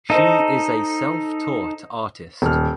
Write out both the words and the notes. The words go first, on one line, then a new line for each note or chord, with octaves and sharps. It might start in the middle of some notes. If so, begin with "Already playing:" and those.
She is a self-taught artist.
D#4 A4 C5 D#5
D#1 F6